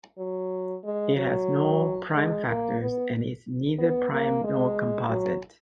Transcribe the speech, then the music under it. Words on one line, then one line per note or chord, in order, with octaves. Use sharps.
It has no prime factors and is neither prime nor composite.
F#3
G#3
F#3
G#3
A#3
B3
B3
A#3
G#3
F#3